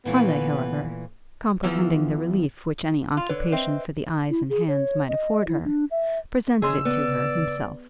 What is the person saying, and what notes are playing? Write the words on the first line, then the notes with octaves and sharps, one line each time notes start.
Harleigh, however, comprehending the relief which any occupation for the eyes and hands might afford her, presented it to her himself.
A#2 E3 A3 B3
E2 E3 F3
F4
D3 B4 C#5
C4 B4 D#5 E5
E4
G#4
C#5
D#5
E4
D4
E5
C#3 C#4 G#4 D#5 C6 E6
B3 D5